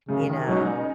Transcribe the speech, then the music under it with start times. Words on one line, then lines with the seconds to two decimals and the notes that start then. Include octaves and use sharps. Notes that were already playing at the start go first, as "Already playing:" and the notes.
you know,
0.09 F#2 C#3
0.28 D#3
0.47 C#3 F#3 G#3 D#4